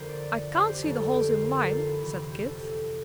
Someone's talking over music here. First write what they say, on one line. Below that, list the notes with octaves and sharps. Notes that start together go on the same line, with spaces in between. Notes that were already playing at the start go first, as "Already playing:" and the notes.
"I can't see the holes in mine," said Kit.
Already playing: F2 D3 A#4 C5
D5
C5
G4
F2 D3 A4
G4
C5
A#4
A4
G4
F4
E4
F2 C3 E3 C4
C4
G4
A4
G4